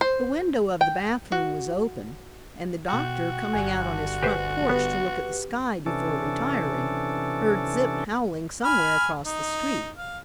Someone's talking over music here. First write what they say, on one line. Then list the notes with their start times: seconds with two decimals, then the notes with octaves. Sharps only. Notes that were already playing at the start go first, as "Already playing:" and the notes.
The window of the bathroom was open and the doctor, coming out on his front porch to look at the sky before retiring, heard Zip howling somewhere across the street.
0.01 C5
0.81 G5
1.32 F#4
2.88 B2 F#4 G5
3.53 G1 G2 D3 G#5 F#6
4.23 G4 B4 C5
4.69 B3 G4 B4
5.86 C3 E3 C#4 D4 A4
8.64 G#5 B5 F6
9.25 D#4
9.96 F5